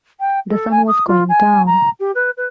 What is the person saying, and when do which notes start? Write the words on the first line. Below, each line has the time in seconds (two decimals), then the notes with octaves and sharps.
The sun was going down.
0.19 G5
0.49 A4
0.71 G#5
0.87 D#6
1.07 F4
1.29 G#5
1.66 A#5
1.99 G4
2.15 B4
2.37 B4